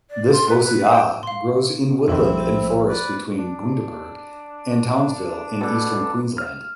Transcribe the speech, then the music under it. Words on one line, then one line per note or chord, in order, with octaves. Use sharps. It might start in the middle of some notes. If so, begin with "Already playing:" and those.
This bossiaea grows in woodland and forest between Bundaberg and Townsville in eastern Queensland.
D5
C6
B4
B4
G5
F5 C6
B1 F2 D#3 F3 C4 E4 F4 E5
C5
B4 D5
D4
B2 D4 A4
F6